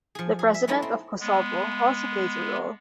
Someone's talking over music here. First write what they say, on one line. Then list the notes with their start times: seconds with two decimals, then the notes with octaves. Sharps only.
The President of Kosovo also plays a role.
0.15 F3 G#4
0.39 G#4
0.54 E5
0.68 B3 C#4 D#4 E4 A4
0.82 C4
1.20 G#3 B3